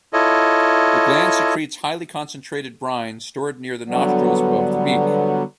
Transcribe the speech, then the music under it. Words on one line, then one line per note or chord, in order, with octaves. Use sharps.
The gland secretes highly concentrated brine stored near the nostrils above the beak.
E4 F4 A4 C#5 D#5
D3 F#3 G3 B3